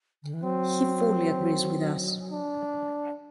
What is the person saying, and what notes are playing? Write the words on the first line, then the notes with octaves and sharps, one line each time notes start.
He fully agrees with us.
D3
E3
F#3 C4
D4